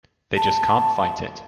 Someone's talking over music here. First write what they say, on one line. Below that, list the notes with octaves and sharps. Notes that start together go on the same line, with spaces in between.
They just can't fight it.
A5